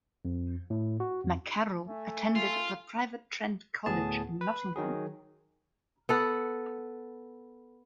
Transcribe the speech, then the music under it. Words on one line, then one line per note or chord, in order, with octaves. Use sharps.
MacKerrell attended the private Trent College in Nottingham.
F2
A2
F#4
F2
A3 E5 G#5
F4
D2 A2 B3 G#4 A5
B4
D#3 F#3 G#4
B3 A4 F#5